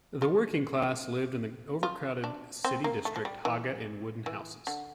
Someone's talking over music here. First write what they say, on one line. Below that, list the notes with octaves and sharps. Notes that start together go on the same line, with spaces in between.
The working class lived in the overcrowded city district Haga in wooden houses.
F4
F4
D4
C4
A#3
A3
F3
G3
E3
E3
D3